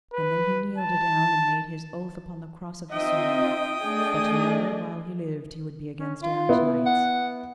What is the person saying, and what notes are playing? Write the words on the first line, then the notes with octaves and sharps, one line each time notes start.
And then he kneeled adown, and made his oath upon the cross of the sword, that never while he lived he would be against errant-knights.
B4
A5
C4 D#4 F4 C5 D#5 E5 G5 D#6
A3 D4 G#4 D5 D#5
C#4
F4
B3 E4
F#5